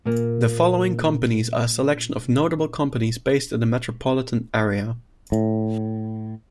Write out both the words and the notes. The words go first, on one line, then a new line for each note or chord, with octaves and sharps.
The following companies are a selection of notable companies based in the metropolitan area.
A#2 A#3
A2